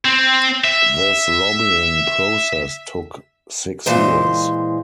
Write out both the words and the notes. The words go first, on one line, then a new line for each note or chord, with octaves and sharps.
This lobbying process took six years.
C4
E5
A#2 E3 G#3 C5